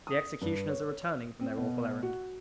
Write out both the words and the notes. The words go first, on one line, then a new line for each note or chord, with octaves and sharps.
The executioners are returning, from their awful errand.
D#6
G2
C#5
C4
B2
F#4